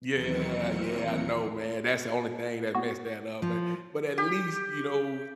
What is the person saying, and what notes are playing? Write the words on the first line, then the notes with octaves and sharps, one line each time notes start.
Yeah, yeah, I know, man, that's the only thing that messed that up, but but at least, you know
D#2 E3 F#3 C4 A#4 C#7
B3 F#4
F3
G4